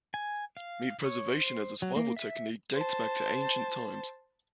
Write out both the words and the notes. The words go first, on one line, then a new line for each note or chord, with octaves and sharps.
Meat preservation as a survival technique dates back to ancient times.
G#5
F5
C#5
C5
F#3
A#3
E5
C5 A5